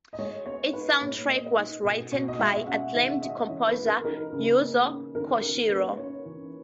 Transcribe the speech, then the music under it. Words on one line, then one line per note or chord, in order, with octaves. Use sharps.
Its soundtrack was written by acclaimed composer Yuzo Koshiro.
D#5
G#3 C#5
B3 C#5
D#4 B4
A#2 C#5
A#3 D#5
D#4
B2
B2
D#5
G#3 E5
E5
C#4 F#5
D#3 E5
D#3 D#5
E3 C#5
B4
B3
A#4
D#4 A#4
C#3
A#3
C#4
D#3 A#4
D#3 A#4
A#3 B4
C#4 C#5
E3